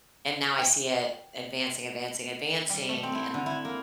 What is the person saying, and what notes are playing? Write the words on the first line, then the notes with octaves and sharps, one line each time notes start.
and now I see it advancing, advancing, advancing, and
G5
G3
A3
C4
E4
D3
E4
A#3